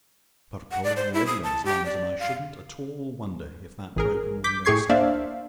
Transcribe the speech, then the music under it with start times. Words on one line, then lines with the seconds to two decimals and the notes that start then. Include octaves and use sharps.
He's got a cold already on his lungs, and I shouldn't at all wonder if that broken window settled him.
0.71 F#5
0.84 D5
0.96 C5
1.14 E4
1.27 D#6
1.44 A5
1.65 G4
1.86 D5
2.20 F5
3.96 A1 G#4 A#4
4.44 D6 G6 B6
4.65 A2 G4 G#4 C#6 G#6 C7
4.89 A#3 D4 C5 D5 E5 F5